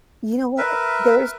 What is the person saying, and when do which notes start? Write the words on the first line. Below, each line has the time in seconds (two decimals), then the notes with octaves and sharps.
You know, what, there's
0.58 A#4 B4 E5